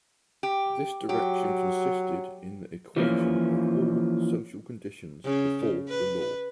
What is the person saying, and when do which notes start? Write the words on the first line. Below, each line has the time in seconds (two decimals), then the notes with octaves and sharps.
This direction consisted in the equation of all social conditions before the law.
0.43 G4
1.09 F#3 G4
2.97 E3 F3 A#3 C#4
5.25 C#3
5.89 B4